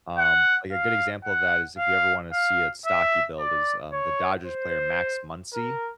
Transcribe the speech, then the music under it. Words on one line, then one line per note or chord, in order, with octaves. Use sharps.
Um, like, a good example of that is if you ever wanna see a stocky build is, um, the Dodgers player Max Muncy.
F#5
F5
F#5
F5
F5
E5
D5
C#5
C5
A#4